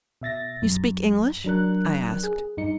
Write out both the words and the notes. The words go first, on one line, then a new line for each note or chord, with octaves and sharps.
"You speak English?" I asked.
B2 E5 A6 A#6
F#2
F#3 D4 A#4 F#6
G#4
G2 D#4 C#7